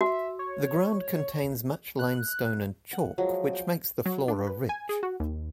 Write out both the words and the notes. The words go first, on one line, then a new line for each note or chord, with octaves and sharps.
The ground contains much limestone and chalk, which makes the flora rich.
F#4 E5
C#5
F#6
F#5
F3 F#3 G#3
G5
F#3
D4
B4
G#5
G#4
F#4
D#2